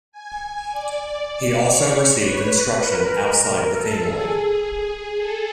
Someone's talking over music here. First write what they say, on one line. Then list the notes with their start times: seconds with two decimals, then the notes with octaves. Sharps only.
He also received instruction outside the family.
0.12 G#5
0.71 D5
1.60 C#5
2.19 B4
2.78 A#4
3.67 A4
3.97 G#4
5.15 A4